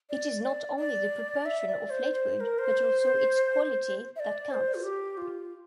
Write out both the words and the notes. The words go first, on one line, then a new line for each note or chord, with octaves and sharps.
It is not only the proportion of latewood, but also its quality, that counts.
D5
D5
D5
E5
D5
C5
C5
C5
A#4
C5
E5
D5
C5
F4
G4
F4